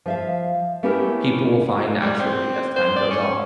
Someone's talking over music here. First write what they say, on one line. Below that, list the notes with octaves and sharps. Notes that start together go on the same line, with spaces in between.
people will find naturally as time goes on.
F3 E5 F5
A3 B3 C#4 E4 G4 A#4
G3
C4
C5
D5
C#4